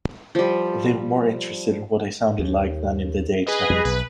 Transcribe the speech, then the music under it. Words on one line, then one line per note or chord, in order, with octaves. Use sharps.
They were more interested in what I sounded like than in the data!
F3 G3
D#2
G#4 B4 D#5
F2 F#3 G3
B1 B4